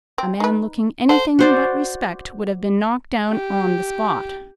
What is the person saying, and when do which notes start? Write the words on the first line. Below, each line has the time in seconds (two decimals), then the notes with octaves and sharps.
A man looking anything but respect would have been knocked down on the spot.
0.18 C4
0.40 D#4 B4
1.09 A4 C5 F#5
1.39 F#4 C5 D5
3.31 G4